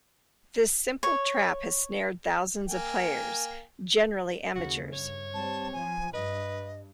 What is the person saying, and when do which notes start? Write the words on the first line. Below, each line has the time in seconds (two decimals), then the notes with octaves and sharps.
This simple trap has snared thousands of players, generally amateurs.
1.03 C#5
2.69 A#3 G5 G#5
4.56 D#2 C#3 F#4
4.93 G2 C#5
5.34 G3 C4 A5
5.73 F3 G#5
6.13 G2 B4 D#5